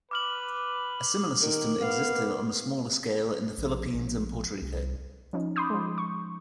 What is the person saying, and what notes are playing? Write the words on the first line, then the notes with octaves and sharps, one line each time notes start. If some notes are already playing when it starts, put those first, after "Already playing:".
A similar system existed on a smaller scale in the Philippines and Puerto Rico.
B4 D6 F6 F#7
D#3 A#4
B3 F5
A#1
A#1
C2
F3 C#4 D#4
B5 C6 D6 D#6 G6
F3 G#3
C#6